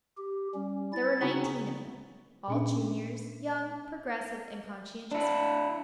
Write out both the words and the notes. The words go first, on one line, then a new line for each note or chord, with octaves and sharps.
There were nineteen of them, all juniors, young, progressive and conscientious men.
G4
G3 C#4
E4 A6
C#3 C4 C#4 D#4 F#4
A#2 C#4 D4
D4 E4